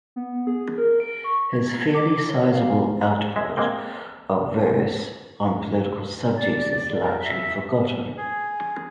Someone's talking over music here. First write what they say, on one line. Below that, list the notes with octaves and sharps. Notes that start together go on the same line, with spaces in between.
His fairly sizeable output of verse on political subjects is largely forgotten.
B3
G#4
A#4
D7
C#6
G#6
G#6
D6
C#5
F5
G#3 E5
G#3 A#3 C4
D5
A#4
E5
G#4